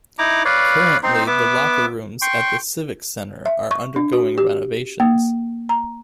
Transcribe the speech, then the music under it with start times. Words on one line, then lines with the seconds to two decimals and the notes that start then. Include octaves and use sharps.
Currently the locker rooms at the Civic Center are undergoing renovations.
0.19 D#4 E4 A#5 D6
0.45 B4 C#5 D5 F5
1.03 C4 D#4 C6
1.27 B3 E5 D6
2.22 G5 C6 C#6
3.46 E5
3.71 C#6
3.96 D4
4.13 F#4
4.38 G4
5.00 A#3
5.69 A#5